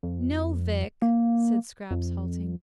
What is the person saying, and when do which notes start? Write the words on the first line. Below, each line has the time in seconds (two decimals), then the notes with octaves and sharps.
"No, Vic," said Scraps, halting.
0.03 F2
1.02 A#3
1.91 F2